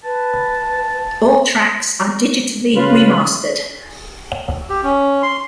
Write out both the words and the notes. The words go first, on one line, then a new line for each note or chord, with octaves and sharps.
All tracks are digitally remastered.
B4 A5
C#3 F4 B4
G4
C#4
C6